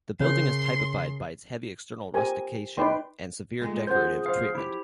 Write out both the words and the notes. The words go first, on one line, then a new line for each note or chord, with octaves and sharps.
The building is typified by its heavy external rustication and severe decorative treatment.
C#3 A#4 C#5 C6
G4 A#4 C5 G#5
D#4 B4 D5 G5 C6
A#2 D#3 G#3 A3
F3 G#3 C#4 G#4 C5 F#5 G6
C5 F5
E4 G4